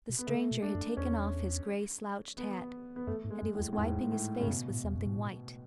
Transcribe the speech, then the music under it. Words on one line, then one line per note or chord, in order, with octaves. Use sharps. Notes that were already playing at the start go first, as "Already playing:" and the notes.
The stranger had taken off his gray slouched hat and he was wiping his face with something white.
B2
B3
C#3 A3
B2
D4
F#2
E2 C#4
B3
B3
F#2 A3
G#2
G#3
F#2
A2
E2
A2
E2 G#2
A2
G#2 C#3
F#2 B2
A2
E2
F#2
G#2
A2